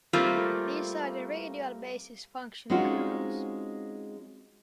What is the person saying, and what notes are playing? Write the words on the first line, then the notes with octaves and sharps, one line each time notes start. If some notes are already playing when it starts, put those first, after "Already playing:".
These are the radial basis function kernels.
G3 A3 A#3 C4 F4
G#3 C4 C#4 D#4 F4 F#4